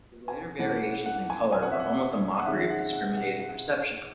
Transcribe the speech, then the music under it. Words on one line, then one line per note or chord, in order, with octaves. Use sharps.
His later variations in color were almost a mockery of discriminating perception.
G#5
E3 A3 C#4 F#5
F#5
F#5
G#5
G#5
F#5
E5
F#5
F#5
D#3 G#3 C#4 E5
F#5
F#5
F#5
F#5